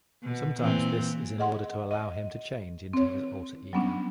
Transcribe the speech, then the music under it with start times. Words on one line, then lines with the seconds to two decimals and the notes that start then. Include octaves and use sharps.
Sometimes this is in order to allow him to change into his alter ego.
0.23 B2
0.59 A#2 E3 C4
1.38 G#4 D#5 F#5 C6
1.91 D#5
2.93 C4 C#5
3.73 F#3 G3 B3 C#4 D4